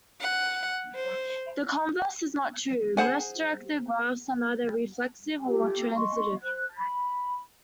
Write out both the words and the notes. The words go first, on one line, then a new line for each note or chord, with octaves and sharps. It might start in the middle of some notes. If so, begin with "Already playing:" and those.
The converse is not true: most directed graphs are neither reflexive nor transitive.
F#5
C5
G#4 C5 F#5 G#5
F4 G4 A4
D#5 C6 C#6
C5 F#6
B5